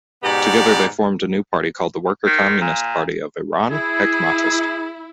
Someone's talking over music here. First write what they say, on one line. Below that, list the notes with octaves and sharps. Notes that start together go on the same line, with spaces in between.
Together they formed a new party called the Worker-Communist Party of Iran-Hekmatist.
G#2 B2 B3 G4 D5
D#3
A#2
E4 G#4